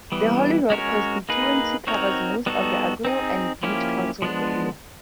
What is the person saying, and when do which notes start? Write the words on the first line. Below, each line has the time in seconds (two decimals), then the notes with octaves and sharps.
The Holyrood constituency covers most of the Argyll and Bute council area.
0.12 E3 G3 B3
0.70 G#3 C#4 F#4 A#4 C#5
1.29 A#3 D#4 G#4 B4
1.87 C4 D#4 F#4 A#4 C#5
2.46 G3 B3 D#4 F#4 A4
3.05 C4 D#4 G#4
3.63 F3 A#3 C#4 E4 G4
4.22 F3 G#3 B3 D4